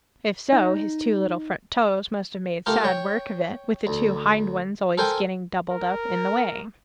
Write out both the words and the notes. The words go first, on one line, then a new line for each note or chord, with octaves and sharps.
If so, his two little front toes must have made sad work of it, with the two hind ones always getting doubled up in the way.
D#4
A3 F4 G4 A#4
C#5 G5
D2
A4 A#4 C5 G5 G#5
A#4